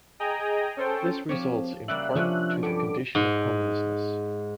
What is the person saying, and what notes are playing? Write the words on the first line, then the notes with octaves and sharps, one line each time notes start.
This results in part to the condition of homelessness.
G#4 D#5 G5 G#5 A#5
C#4 A4 C5 G5
F3 C4 G4 C#5
C#3 G3 A#3 E5 F#6
C3 F3 C#4 D4
G2 G4 A4 F#5 D6
G#2